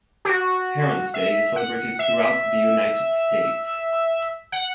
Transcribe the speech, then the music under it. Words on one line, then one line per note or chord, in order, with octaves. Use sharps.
Parents' Day is celebrated throughout the United States.
G4
F#4
E5
F#5
E5
F#5